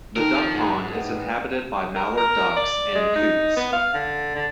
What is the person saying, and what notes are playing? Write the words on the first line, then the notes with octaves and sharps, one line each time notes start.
The duck pond is inhabited by mallard ducks and coots.
D#3 A4 A#4 G5
F3
G#2 D4 F#4 G#4
E5
G3 B3
A#4
A#4
D5
G#3
D#4
B3
F5
D3
D3